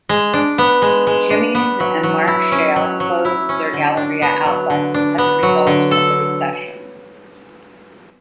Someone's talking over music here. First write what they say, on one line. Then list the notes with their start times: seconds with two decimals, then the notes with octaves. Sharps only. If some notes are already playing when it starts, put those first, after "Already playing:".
Jimmy'z and Mark Shale closed their Galleria outlets as a result of the recession.
0.09 G#3
0.34 D4
0.58 B3
0.82 G#3
1.07 G#3
1.31 D4
1.55 B3
1.80 F#3
2.03 F#3
2.28 E4
2.52 C#4
2.76 F#3
3.00 F#3
3.25 E4
3.49 C#4
3.73 D3
3.97 D4
4.22 B3
4.46 F#3
4.70 D3
4.94 D4
5.18 B3
5.43 F#3
5.67 D3
5.91 A4